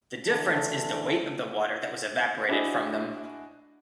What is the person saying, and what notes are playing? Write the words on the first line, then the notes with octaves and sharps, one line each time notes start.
The difference is the weight of the water that was evaporated from them.
D3 E3 A3 D4
D4 E4 F#4 G#4 D#5